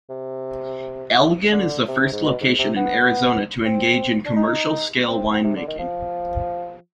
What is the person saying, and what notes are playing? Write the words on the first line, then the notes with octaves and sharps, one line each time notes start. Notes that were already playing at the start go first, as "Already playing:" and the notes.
Elgin is the first location in Arizona to engage in commercial scale winemaking.
C3
D3
C3
G#2
B2
G#2
C3
B3
C4
D4
D#4
C4
C3
D3
D#3
F3